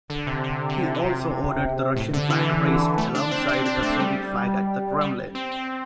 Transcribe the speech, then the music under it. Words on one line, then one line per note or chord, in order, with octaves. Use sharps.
He also ordered the Russian flag raised alongside the Soviet flag at the Kremlin.
D3
C3
D3
D3
C3
A2
D3
E3
A3
D4
C4
D4
C4
A3
G3
G3
C4
C4